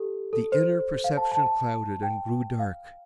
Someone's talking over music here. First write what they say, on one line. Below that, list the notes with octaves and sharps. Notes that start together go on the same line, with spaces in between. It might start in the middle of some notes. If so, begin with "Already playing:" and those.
The inner perception clouded and grew dark.
Already playing: G4 A4
A4
C5
F5
A5
A5
A5
G5
F5